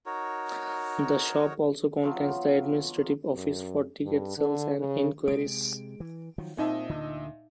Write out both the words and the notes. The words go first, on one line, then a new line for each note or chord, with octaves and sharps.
The shop also contains the administrative office for ticket sales and enquiries.
D#4 F#4 A#4 C#5
B2 F3 F#3 F4
F#2
G2
D3
C#3
C3 G#3 D#6 D7
E3
D#3 F3 F#3
A#2 C4 D#4 D#5 E5 A5 D#6
D2 D3